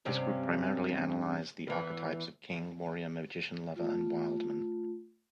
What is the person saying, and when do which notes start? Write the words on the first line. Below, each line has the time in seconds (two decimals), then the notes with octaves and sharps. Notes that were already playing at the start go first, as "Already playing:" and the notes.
This group primarily analyzed the archetypes of King, Warrior, Magician, Lover and Wildman.
0.05 G2 C3 C#4
1.68 E2 E3
3.76 A3 F4